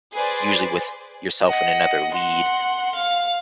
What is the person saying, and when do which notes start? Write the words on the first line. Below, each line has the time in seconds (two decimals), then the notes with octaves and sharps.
usually with yourself and another lead.
0.13 G#4 B4 C5 D5
1.47 D#5 F#5
2.12 F#5 C6
2.95 F5